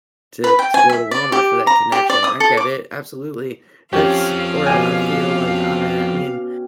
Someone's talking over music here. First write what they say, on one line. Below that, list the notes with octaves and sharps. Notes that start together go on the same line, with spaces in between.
to to go to Walmart for that connection. I get it, absolutely. That's where I feel, like I'm at, I mean,
B4
G5
G#5
E5
D5
G4
A#5
G4
D5
D#6
A4
D6
F3 C4 C#4 G4 C#5 F5
B2 G4 G#5